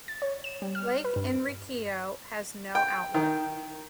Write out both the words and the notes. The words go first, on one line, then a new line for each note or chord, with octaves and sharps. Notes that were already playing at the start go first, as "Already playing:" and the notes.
Lake Enriquillo has no outlet.
A6
C#5
E7
G3
F6
B4
G2
G5
D#3